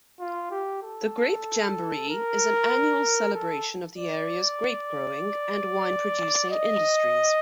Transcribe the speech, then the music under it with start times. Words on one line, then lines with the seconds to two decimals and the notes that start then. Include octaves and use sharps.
The Grape Jamboree is an annual celebration of the area's grape-growing and wine-producing industries.
0.20 F4
0.51 G4
0.83 A4
2.09 A#4
3.34 A4
3.98 D5
6.51 D#5